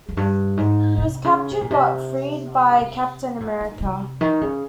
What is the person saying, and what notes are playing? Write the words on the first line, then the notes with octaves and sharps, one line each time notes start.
He was captured, but freed by Captain America.
F2
G2
G#2
C3
C#3
C3
A#2
C3
A#2
C3
D#3
C#3